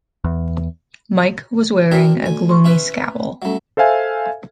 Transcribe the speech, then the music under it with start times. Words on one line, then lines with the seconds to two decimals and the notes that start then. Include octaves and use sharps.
Mike was wearing a gloomy scowl.
0.24 E2
1.92 C4 D4 F#4 A#4
2.23 D2 G#5
2.49 C6 C#6
2.64 C#4 E4 B4
3.42 F#3 G3 A3 C#4
3.77 A4 C5 E5 F5 G#5